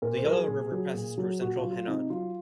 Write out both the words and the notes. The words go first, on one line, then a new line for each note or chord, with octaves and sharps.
The Yellow River passes through central Henan.
A#2 A#4
C5
F#3 A#4
G#4
A#2
F#3
A#2
F#3
A#2 F#4
F4
F#3
F4
C3 D#4
F#3 F4